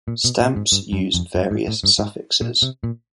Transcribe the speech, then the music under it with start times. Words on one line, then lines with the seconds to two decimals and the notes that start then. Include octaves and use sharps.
Stamps use various suffixes.
0.08 A#2
0.24 B2
0.40 A#2
0.56 G#2
0.72 G2
0.93 F#2
1.14 F2
1.35 F#2
1.51 G#2
1.68 A2
1.84 G2
1.99 G#2
2.41 A#2
2.62 C3
2.84 A#2